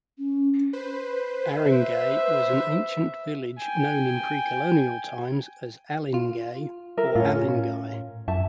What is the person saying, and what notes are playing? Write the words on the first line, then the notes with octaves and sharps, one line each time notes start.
Aringay was an ancient village known in pre-colonial times as "Alingay" or "Alinguey".
C#4
B4 C5
E5
G5 G#5
F4
A#4 E5
A2 C#4 F4
F#2 E5 A5